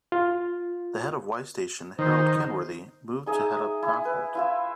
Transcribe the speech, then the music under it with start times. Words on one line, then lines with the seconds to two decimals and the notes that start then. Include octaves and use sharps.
The head of Y station, Harold Kenworthy, moved to head up Knockholt.
0.12 F4
1.99 D#3 C5
3.26 D#4 G#4 D#5 E5
3.82 E4
4.05 B4
4.35 E4 F4 E5